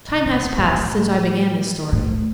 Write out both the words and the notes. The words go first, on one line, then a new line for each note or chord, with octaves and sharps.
Time has passed since I began this story.
C3
C3
A#2
A2
A2